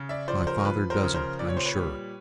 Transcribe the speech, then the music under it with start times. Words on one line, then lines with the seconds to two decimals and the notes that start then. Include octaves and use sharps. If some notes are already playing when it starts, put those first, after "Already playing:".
My father doesn't, I'm sure.
Already playing: C#3
0.09 D5 E5
0.28 F3 C5 D5
0.47 A#4 C5
0.59 A#4
0.65 F3 B4
0.90 A#4 C5
1.03 C#3
1.14 A#4 C5
1.39 A#2 D5
1.49 C#5
1.57 C5
1.65 B4 C#5
1.76 G3